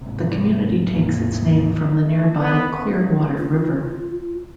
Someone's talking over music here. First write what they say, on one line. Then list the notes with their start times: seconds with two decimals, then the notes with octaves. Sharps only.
The community takes its name from the nearby Clearwater River.
0.01 G#2 C3
0.94 D#1 G#2 C3 A#3
2.03 A3
2.41 B3
2.74 A1
3.37 F4